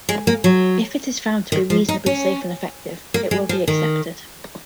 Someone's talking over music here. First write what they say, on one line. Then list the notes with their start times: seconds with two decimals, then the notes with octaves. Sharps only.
If it is found to be reasonably safe and effective, it will be accepted.
0.09 G#3
0.27 A#3
0.44 F#3
1.52 D#3
1.70 F3
1.89 D#4
2.06 C#4
3.14 A#3
3.31 G#3
3.49 F3
3.68 D#3